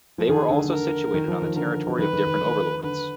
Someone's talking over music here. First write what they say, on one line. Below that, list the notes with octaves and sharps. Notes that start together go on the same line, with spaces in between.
They were also situated on the territory of different overlords.
F3
D#3 G#4
D3
D3
A#4
D#3
F3
D#3
D3 A#4
F3
D#3 B4
D#3
D#3
D#3
D3 B4